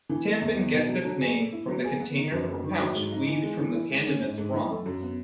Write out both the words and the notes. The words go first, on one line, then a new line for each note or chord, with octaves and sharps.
Tampin gets its name from the container or pouch weaved from the pandanus fronds.
E3
A3
E2
B3
B2
F#3
F#3
G#4
A3
E4
F#3
G#4
B3
D#4
F#2
F#2
D#3
F#3
G#2
D#4
E3
G#3
E3
E4
G#3
C#4
G#2
G#2
E3
A3
F#2
B3